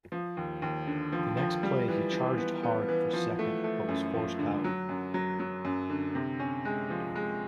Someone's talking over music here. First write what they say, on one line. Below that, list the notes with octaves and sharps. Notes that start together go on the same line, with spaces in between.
The next play he charged hard for second but was forced out.
F3
D#2
D#2
D3
F3
F3
G3
E3
E3
B3
B3
E3
F3
A3
A3
F#2
F3
D3
F#3
F#2
F#3
F#3
F#2
D3
C3
C#4
G#3
F3
G#3